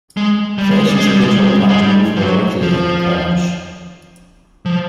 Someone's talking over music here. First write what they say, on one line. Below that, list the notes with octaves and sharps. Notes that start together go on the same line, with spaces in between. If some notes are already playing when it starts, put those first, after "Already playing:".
Players use the control pad to move horizontally and to crouch.
G#3
G3
G#3
G3
G#3
G3
G#3
G3
G#3
G3
G#3
G3
F3
F#3
F3
F3